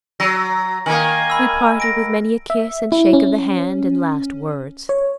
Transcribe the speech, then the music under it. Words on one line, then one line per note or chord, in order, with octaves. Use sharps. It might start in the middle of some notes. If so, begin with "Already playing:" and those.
We parted with many a kiss and shake of the hand and last words.
F#3 A#6
D#3 A#3 G#5 F#7
B5 E6
A#6 D7
E5
E4
C#4
C#5